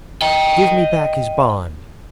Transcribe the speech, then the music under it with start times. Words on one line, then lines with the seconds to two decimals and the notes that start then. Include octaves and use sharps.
Give me back his bond.'
0.22 D#5 G5